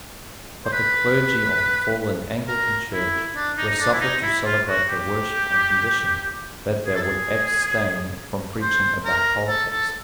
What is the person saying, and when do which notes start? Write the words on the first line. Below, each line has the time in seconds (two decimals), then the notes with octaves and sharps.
But the clergy of the fallen Anglican Church were suffered to celebrate their worship on condition that they would abstain from preaching about politics.
0.65 C5
0.72 B4
2.47 A#4
2.92 E4
3.35 D4
3.57 D#4
3.69 D#4
3.79 D4
3.92 E4
4.01 D#4
4.22 E4
4.44 F4
4.67 F#4
4.88 G4
6.86 G#4
6.95 A4
7.02 G#4
8.62 C5
9.05 A#4
9.48 A4
9.70 A4